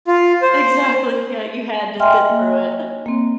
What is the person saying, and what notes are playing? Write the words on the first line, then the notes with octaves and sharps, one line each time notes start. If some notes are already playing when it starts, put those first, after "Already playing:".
Exactly, yeah, you had to sit through it.
F4
C5
D#5 E5 G5 G#5 C6 F6
A#3
A#3 C4